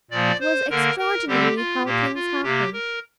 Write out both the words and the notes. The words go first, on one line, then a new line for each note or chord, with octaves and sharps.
It was extraordinary how things happened.
A#2 F3 A#3 D5
C5
D3 A#3 A#4
A#4
D3 G3 C4 G4
F4
A#2 A#3 G4
F4
C3 A#3 G4
A#4